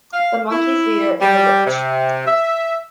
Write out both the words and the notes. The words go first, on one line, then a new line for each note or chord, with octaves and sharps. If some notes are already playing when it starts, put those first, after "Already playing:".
The Monkey's leader and the Witch.
F5
E4
G3
C3
E5